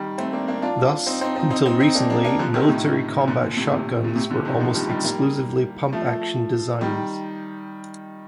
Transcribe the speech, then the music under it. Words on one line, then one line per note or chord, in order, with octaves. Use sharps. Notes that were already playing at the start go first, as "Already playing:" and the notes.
Thus, until recently, military combat shotguns were almost exclusively pump-action designs.
Already playing: D#3 G3
A3 C4
A#3 D4
A#3 D4
D4 F4
C4 D#4
C4 D#4
C4 D#4
C4 D#4
C4 D#4
C4 D#4
A#3 D4
A#3 D4
A#3 D4
D3 F3
C3 D#3
A2 C3
A#2 D3
A#2
A2 C3
A2 C3
A#2
A2 C3
A#2 D3
C3 D#3
D3 F3
D#3 G3
D#3 G3
G3 A#3
F3 A3
D#3 G3